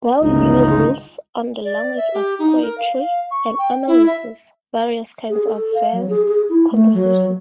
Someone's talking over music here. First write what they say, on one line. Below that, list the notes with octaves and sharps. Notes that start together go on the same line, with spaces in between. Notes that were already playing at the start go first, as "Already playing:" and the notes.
Boileau rules on the language of poetry, and analyses various kinds of verse composition.
G1 C#2 E3 F3 D#4 F4
D5
E5
G4
D#4
A#4
F5
F5
C#6
G5
E4
E5
G#4
A4
F5
F#3
G#4
G#4
E4
A3
F#3